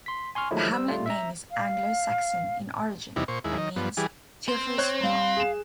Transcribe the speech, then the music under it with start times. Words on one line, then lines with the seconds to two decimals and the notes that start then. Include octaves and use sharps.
The hamlet name is Anglo Saxon in origin, and means 'Teofer's farm'.
0.06 C6 B6
0.35 G#5 C6 C#6 F6
0.51 D#3 F3 F#3 G#3 A3 E4
0.71 G3 C5 E6
0.88 G3 A3 F4
1.06 E5 A#5
1.51 F5
3.16 E2 C3 G3 D#4 E4
3.28 A#2 C5 C#6
3.44 D#2 G#3 E4
3.58 D#3 D#5
3.76 G2 F3 B3
3.97 E3 G3 G#4
4.48 C4
4.78 C5 C#5 F#6
5.03 G3 F5
5.37 G#4 E7